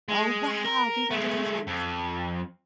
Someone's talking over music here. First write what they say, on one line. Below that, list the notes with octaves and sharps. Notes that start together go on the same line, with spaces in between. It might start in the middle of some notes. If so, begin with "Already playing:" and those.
Oh, wow! Congratulations.
G#3
A#4
G#3 A3
F2